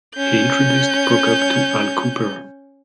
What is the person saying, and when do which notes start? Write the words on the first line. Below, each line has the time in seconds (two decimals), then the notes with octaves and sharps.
He introduced Prokop to Al Kooper.
0.16 C#4 G6